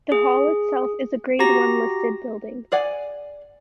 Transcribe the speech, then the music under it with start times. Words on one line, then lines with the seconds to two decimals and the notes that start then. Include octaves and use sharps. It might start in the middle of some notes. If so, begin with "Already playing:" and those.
The hall itself is a Grade One listed building.
0.12 G#4
1.39 F#4 G4 A#5 A#6
2.72 G#4 D5 F#5 G#5